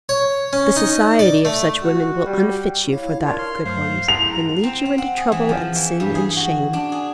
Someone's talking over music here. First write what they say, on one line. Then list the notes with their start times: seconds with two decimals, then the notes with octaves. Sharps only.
The society of such women will unfit you for that of good ones, and lead you into trouble and sin and shame.
0.09 C#5
0.53 C#4
0.76 D#4
1.19 D5
1.45 A3
1.83 F#4
2.25 G3
2.92 E4 C#5 F5
3.25 D4 F4 A#4 C#5
3.38 C6 F6
3.65 G2 F#3 A3 C5 F5
4.08 E4 A5 C6 F7
4.32 A#5
4.63 C4
4.85 C4
4.98 F#5
5.18 G#4
5.32 E3
5.49 F3
5.75 E3
6.00 G2
6.15 G#4
6.36 F#4
6.73 D4
6.92 G#4